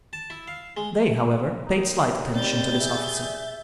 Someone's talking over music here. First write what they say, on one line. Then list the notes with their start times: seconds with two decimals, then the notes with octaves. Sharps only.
They, however, paid slight attention to this officer.
0.13 A5
0.30 E4
0.48 F5
0.77 G#3
1.66 D#2 D#4
2.34 G3 C4 G6 A6
2.79 G#4 E5